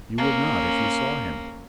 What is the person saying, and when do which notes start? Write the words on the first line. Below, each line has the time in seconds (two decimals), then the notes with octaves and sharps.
You would not if you saw him.
0.18 A#3 C#4